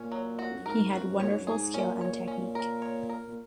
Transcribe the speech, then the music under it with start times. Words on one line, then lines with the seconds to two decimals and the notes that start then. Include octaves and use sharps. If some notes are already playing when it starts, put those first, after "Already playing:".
He had wonderful skill and technique.
Already playing: A#2 C#4
0.12 F#3
0.39 F#4
0.52 F2
0.58 F#2
0.65 G#2 A#4
0.93 F#2 F#4
1.00 F2
1.09 F#2
1.20 A#2 C#5
1.30 G#2
1.39 F#2
1.47 G#2 G#4
1.74 A#2 C#4
2.01 C#5
2.28 C#4
2.55 A#4
2.82 C#5
3.09 A#4
3.28 A#2